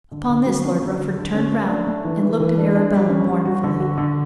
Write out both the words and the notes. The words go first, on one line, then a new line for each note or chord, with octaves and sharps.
Upon this Lord Rufford turned round and looked at Arabella mournfully.
D3
D3
F#3
C#4
D3
F#3
D3
C#4
A3
D4
A3
E3
E3
E3
D4
D4
G3
C#4
G3
F#4
D3
F#4
D3